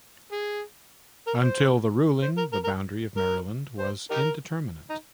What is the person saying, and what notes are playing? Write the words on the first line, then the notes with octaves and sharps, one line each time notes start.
Until the ruling, the boundary of Maryland was indeterminate.
G#4
A#4
C5
C5
A#4
A#4
A#4
A#4
C5
D#4 G4 A#4
D#4